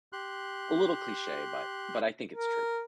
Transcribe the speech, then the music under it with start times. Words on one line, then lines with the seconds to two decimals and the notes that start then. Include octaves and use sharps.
a little cliche, but but I think it's true.
0.13 G4 C6 F#6
2.31 A#4